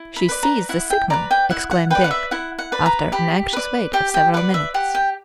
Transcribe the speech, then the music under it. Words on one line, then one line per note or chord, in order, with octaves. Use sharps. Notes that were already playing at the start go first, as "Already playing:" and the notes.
"She sees the signal!" exclaimed Dick, after an anxious wait of several minutes.
Already playing: E4
B5
B4 D5
A#5
E4 F#5
G5
B4 D5 A#5
G5
E4 F#5
F#5
B4 D5 G5
F#5
E5
E4 F#5
F#5
B4 D5
A#5
G4 B5
B4 D5
G4 G5
G5
B4 D5 F#5
E5
G4 F#5
G5